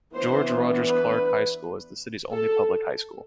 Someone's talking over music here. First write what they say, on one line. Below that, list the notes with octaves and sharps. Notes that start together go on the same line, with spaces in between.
George Rogers Clark High School is the city's only public high school.
E3 B3 D4 C5
B4
A4